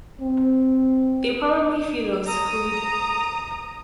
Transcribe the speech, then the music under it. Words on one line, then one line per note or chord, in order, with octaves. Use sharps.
They probably feed on squid.
C4
A#5 D#6